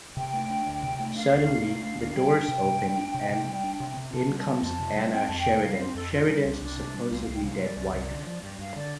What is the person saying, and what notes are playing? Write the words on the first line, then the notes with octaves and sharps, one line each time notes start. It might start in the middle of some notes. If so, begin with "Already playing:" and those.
Suddenly, the doors open and in comes Anna Sheridan, Sheridan's supposedly dead wife.
C3 G5
A3
D4
D2
C3
A3
G5
D4 F5
D2
C3
A3 F5
D4
D2
G3 G5
D4
C3
C3
G3
D4
C3
C3
G3
D4
C3
C3
C3 A5
G3
A5
C4
F2 A5
C3
G3
C4 G5
F2 A5
G5
C3
G3 F5
C4 C5
F2 A4
C3 F4
G3
C2 D4
C2 D4
C3
G3
C2 F5
C2 F5
G5
C3 F5
G3 D5
C2
C2
D3
F3
G2
G2 F5
D3 D5